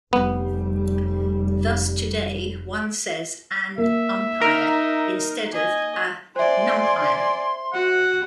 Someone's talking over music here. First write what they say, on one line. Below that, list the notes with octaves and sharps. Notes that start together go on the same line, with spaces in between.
Thus today one says "an umpire" instead of "a numpire".
F1 G3 B3
A#3 E5
D#4 A#4
D#5 G#5
C5 D5 E5 G#5 C6
F#4 F#5